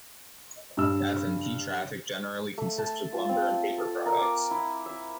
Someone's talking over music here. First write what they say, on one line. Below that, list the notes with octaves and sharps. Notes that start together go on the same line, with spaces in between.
F and P traffic generally consists of lumber and paper products.
G2 E6
A3
A5
F4
C4
A4
A#4
D6
E4
E5